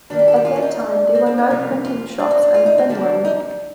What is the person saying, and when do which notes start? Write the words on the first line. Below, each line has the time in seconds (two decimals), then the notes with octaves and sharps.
At that time there were no printing shops in Finland.
0.10 G2 D#3 A#3 D4
0.19 G4
0.28 A4
0.36 G4
0.45 F4
0.56 D4
0.62 D#4
0.80 D4
1.15 C4
1.26 C4
1.38 D#4
1.49 F2 C3 G3 A#3 F4
1.85 F4
2.19 D4
2.31 C4
2.43 D4
2.54 F4
2.66 D#4
2.78 C4
2.89 F2 D3 F3 A#3 D4
3.25 D#4